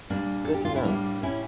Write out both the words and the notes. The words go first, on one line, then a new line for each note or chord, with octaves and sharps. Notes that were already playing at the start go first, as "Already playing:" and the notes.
It's good to know.
A#2 G3 A#3 D4
A4
G4
F4
E4
A2 G3 A#3 D4
C#4 E4